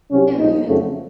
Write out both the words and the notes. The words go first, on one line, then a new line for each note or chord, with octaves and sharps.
There really is,
C2 C3 F#3 C#4
A#1 A#2 F3 D#4
F2 C#3 F#3 A3